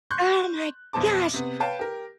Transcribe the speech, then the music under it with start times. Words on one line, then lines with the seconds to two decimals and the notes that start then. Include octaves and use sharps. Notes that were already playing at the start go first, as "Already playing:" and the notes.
Oh my gosh.
0.11 C6 C#6 F#6 G6
0.93 B1 F2 B2 C5 A5 D6
1.34 C3 B3
1.60 B4 C#5 F5 G5 A5
1.79 G4 A#4